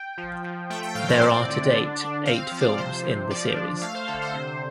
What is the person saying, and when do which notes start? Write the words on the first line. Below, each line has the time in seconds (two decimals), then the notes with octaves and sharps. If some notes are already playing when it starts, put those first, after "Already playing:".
There are to date eight films in the series.
Already playing: G5
0.18 F3
0.44 F3
0.70 A3 G5
0.83 G5
0.95 A2 F5
1.09 C5
1.21 C4 D5
1.49 D3
1.74 D4
2.00 D4
2.26 C4 F5
2.52 F3 F5
2.61 D5
2.77 C3 C5
3.04 C3
3.30 F3 D5
3.56 D4
3.82 A3 F5
3.95 C5
4.08 D3 A4
4.22 C5
4.34 C3